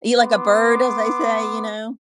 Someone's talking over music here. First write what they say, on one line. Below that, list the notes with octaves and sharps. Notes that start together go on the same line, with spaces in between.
Eat like a bird, as they say, you know?
B3 C6 D6